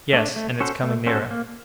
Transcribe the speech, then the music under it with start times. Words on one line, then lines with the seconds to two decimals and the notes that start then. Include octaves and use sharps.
"Yes, and it's coming nearer."
0.13 A3 D4
0.36 A3
0.60 C#4 F#4 A4 C5
0.83 A3
1.07 C#4 F#4 A4 C5
1.31 A#3